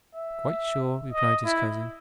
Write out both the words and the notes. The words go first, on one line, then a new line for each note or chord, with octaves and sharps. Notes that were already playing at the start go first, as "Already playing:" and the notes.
'Quite sure,' replied his cousin.
E5
D#5
E4